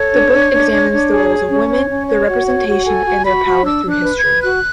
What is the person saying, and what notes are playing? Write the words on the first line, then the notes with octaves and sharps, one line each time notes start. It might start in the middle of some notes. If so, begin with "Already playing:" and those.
The book examines the roles of women, their representation, and their power through history.
Already playing: A4 C#5
D4
D4
D4
D4
D4
G#4
C#5
C#4
C#5
C#4
C#5
F#4
C#5
F#4
A4 G#5
F#4
F#4 B5
F#4
D4 E6
D4
F#6
B4
G#6
B4
F#4 F#6